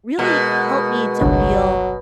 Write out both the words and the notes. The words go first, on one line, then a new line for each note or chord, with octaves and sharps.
really helped me to feel
B2 G#3 F#4 A#4
G1 C2 G2 F#3